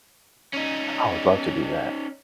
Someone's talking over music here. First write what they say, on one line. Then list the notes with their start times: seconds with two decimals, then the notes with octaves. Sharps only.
I would love to do that.
0.54 C#4 D#4